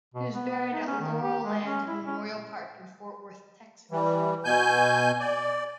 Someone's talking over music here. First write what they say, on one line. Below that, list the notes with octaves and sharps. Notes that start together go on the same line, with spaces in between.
He was buried at Laurel Land Memorial Park in Fort Worth, Texas.
B2
B3
B3
D#4
C#4
D#3
G4
G#3
C#4
E4
C#4
E3 G3
B2 G#5 G6
D5